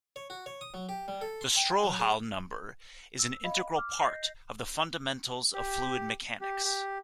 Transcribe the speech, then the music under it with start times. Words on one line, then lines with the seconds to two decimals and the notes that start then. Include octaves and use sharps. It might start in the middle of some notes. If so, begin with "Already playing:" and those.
The Strouhal number is an integral part of the fundamentals of fluid mechanics.
0.16 C#5
0.30 F#4
0.46 C#5
0.61 D#6
0.74 F#3
0.89 G4
1.08 G3
1.21 A4
1.41 C6
1.56 G5
1.83 F#3
1.99 G#4
3.19 E6
3.44 D#5 F5 B5
3.76 D6 F6
3.99 D#5 G6 A#6 C7
5.54 G4
6.41 G4
6.64 G4